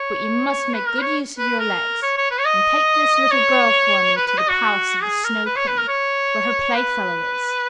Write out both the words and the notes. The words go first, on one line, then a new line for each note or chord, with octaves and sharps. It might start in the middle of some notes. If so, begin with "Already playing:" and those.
But you must make good use of your legs; and take this little girl for me to the palace of the Snow Queen, where her playfellow is.
Already playing: C#5
B4
A#4
C#5
B4
A#4
C#5
C#5
B4
C#5
D#5
C#5
B4
B4
D#5
F#4
G#4
A#4
B4
C#5
B4
A#4
C#5
B4